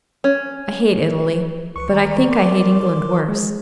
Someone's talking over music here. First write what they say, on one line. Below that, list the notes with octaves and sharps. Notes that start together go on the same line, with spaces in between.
I hate Italy, but I think I hate England worse.
C#4
C#2 B4 C#6 C#7
D#3 E3 D5 A#5
A#4 C6 D6
G#3 G#4